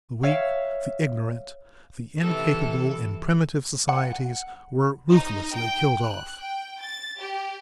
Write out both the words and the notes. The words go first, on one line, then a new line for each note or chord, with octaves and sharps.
The weak, the ignorant, the incapable in primitive societies were ruthlessly killed off.
C#5 E5 F5
C3 E3 A4
F#5
D#4
G5
F#6
G5
A6
G4